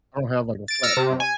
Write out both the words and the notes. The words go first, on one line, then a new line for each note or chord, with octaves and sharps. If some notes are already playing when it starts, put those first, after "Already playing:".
I don't have, like, a flat top,
A6 D7
E6 F6 A6 A#6 C#7 D7
C3
G#5